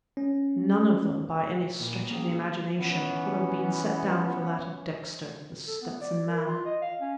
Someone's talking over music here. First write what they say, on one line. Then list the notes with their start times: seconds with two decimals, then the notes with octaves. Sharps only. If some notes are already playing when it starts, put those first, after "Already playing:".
None of them, by any stretch of the imagination, could have been set down for that of Dexter, The Stetson Man.
0.17 C#4
1.80 A#2 D#3 E3
2.10 A#3 C#4 G#4 F5 G5
2.78 E3 B3 C#4
5.67 A4
5.81 B3
6.01 D5
6.27 A#4
6.46 F4
6.65 D#5
6.82 F5
7.00 C#4